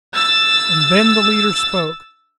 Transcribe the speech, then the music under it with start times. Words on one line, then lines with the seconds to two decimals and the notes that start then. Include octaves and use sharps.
And then the leader spoke.
0.14 E6 A6